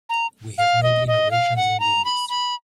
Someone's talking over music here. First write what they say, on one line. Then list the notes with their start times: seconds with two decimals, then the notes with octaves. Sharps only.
We have made innovations in the industry.
0.09 A#5
0.58 F5
0.83 D#5
1.08 D#5
1.31 F5
1.56 F#5
1.80 A#5
2.05 B5
2.29 B5